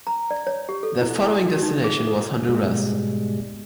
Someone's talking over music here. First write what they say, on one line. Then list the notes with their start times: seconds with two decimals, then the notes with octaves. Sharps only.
Their following destination was Honduras.
0.07 A#5
0.31 D5
0.47 C#5
0.69 G4
0.83 A4
1.01 E4
1.24 E4
1.48 F#4
1.63 D#4
1.84 G#4
2.07 A4
2.49 G#2 B2 G3 G#3